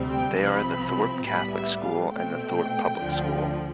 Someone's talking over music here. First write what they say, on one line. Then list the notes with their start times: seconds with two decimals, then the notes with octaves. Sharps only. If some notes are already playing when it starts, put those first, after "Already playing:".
They are the Thorp Catholic School and the Thorp Public School.
Already playing: D2 C3 G3 C4
0.11 G5
0.39 C2 C3 F3 C4 B5
1.26 A2 G3 B3 B5
1.54 E5
1.83 F5
2.12 B2 A3 C4 G5
2.99 D2 D3 F3